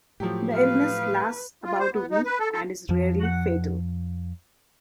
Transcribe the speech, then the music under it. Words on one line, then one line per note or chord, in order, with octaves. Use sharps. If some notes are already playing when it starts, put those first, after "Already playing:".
The illness lasts about a week and is rarely fatal.
A2 F3 F#3 G4
B4 F5
F4
C5
B3
D#4
B4
A4
A4
F2 F3